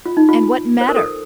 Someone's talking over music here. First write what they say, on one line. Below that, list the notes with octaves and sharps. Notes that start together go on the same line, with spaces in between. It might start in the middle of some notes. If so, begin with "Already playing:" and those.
And what matter?
F4
D#4
F4
C5
A#4
A4